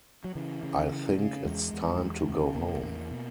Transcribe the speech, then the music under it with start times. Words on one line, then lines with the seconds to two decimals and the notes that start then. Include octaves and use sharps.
I think it's time to go home.
0.24 F#3
0.35 C#3 E3
0.63 C#3
0.90 C#3
1.18 C#3
1.45 E2 G#3
1.73 E2
2.01 E2
2.28 C#3
2.55 B2 A#3
2.83 E2
3.11 B2